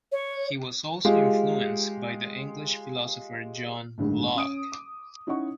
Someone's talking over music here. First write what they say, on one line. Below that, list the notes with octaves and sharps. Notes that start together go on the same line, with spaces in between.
He was also influenced by the English philosopher John Locke.
C#5
G#3 F4 G4 F5
A1 D2 G2 D3 D#3 G#3
C#4 D#6 D7
D6
C#4 D#4 E4 D#5 F#5 C#6